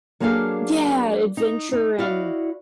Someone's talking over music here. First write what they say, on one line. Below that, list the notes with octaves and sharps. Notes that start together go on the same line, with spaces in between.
Yeah, adventure, and,
F#3 A#3 D4 G#4 A4 F5
D#4
D#4
E4 F#4 D5 D#5 F5